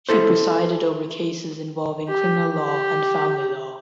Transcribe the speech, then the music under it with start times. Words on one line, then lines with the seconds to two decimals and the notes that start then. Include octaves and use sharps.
She presided over cases involving criminal law and family law.
0.09 E4 A4 C5
2.08 G4
2.48 G4